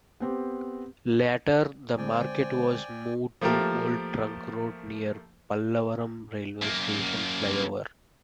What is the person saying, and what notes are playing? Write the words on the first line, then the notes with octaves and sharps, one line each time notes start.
Later the market was moved to Old Trunk Road near Pallavaram Railway Station Flyover.
B3 C4 G4
D3 G#3 C4 C5 D5 G5 G#5
F3 A3 A#3 G4 A#4
F#2 A#3